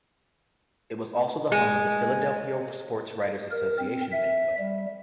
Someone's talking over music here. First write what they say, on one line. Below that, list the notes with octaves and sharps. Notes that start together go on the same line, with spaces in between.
It was also the home of the Philadelphia Sports Writers Association Banquet.
G#3
A#4
C4
E5
G3